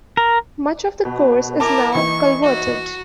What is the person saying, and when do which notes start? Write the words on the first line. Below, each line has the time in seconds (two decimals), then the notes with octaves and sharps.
Much of the course is now culverted.
0.17 A#4
1.05 B2
1.60 E4 A#4 A5 D6
1.95 E3 A#3 D#4 C#6
2.43 F#4